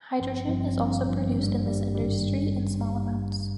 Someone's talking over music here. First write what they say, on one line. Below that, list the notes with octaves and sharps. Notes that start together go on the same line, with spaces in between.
Hydrogen is also produced in this industry in small amounts.
G#1 G2 F3 C4
G#1 G2 F3 C4
G#1 G2 F3 C4
G#1 G2 F3 C4
G#1 G2 G3
G#1 G2 G3
G#1 G2 G3